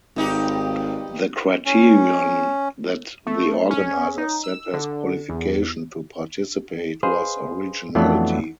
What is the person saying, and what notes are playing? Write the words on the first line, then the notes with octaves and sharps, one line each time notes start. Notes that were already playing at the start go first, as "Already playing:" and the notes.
The criterion that the organizers set as qualification to participate was "originality".
G#1 G2 D#4 G4
C#4
A3
C#4
D#4
E6
D3
E2
G#4 B4 C5 D#5 F5
F2 E3 F#3 A3 B3 D4